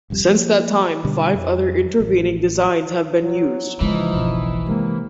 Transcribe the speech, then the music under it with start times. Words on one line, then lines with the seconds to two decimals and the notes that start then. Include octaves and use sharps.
Since that time, five other intervening designs have been used.
0.10 D#1 C2 F2 G3
0.26 F3 A#3
1.05 B2 D3 G3
1.35 F2
2.00 A1
3.20 F#3
3.81 C#3 E3 F3 G#3 D#4
4.13 F#1 B1
4.66 C3 G#3 A#3